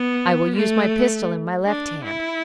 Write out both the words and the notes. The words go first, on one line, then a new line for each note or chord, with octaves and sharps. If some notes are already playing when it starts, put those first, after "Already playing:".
I will use my pistol in my left hand.
Already playing: B3
A3
D4
E4